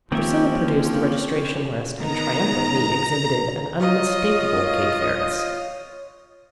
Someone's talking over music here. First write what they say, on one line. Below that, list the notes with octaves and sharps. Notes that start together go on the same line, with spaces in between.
Priscilla produced the registration-list, and triumphantly exhibited an unmistakable Kate Ferris.
D#3 F3 A#3 C4 C#4 G4 E5
D#3 B3 A#5
F4 C#5 D#5